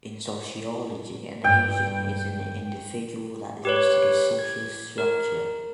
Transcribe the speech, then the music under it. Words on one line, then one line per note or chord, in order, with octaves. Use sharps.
In sociology, an agent is an individual that links to the social structure.
G2 G5
G4 B4 C#5
G#6
A#4